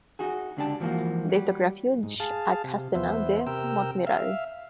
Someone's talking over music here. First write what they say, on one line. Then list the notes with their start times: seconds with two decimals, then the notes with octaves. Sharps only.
They took refuge at Castelnau-de-Montmiral.
0.19 D#4 F#4 G#4
0.57 C#2 D3 D4 G4 G#4 A5
0.80 G#2 E3 F3 G3 A#3 F#4
1.30 F#3 G3
2.03 G#2
2.20 G#4 F5 A5
2.64 C3
2.95 E2 B3 C5 E5
3.47 C3 A#4 G5 E6
4.07 E5 F5